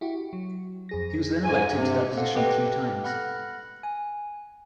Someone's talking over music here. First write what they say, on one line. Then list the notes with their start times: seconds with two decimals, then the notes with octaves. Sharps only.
He was then elected to that position three times.
0.01 E4 F#4 G4
0.33 F#3
0.89 F2 G#4 A#6
1.44 G#2 G#5
1.73 G2 C3 D4
2.17 A4 C5 F5 F#5
2.35 G4 A4 B4 D#5 G5 D6
3.04 F#5 B5 F6 F#6 A#6
3.83 G#5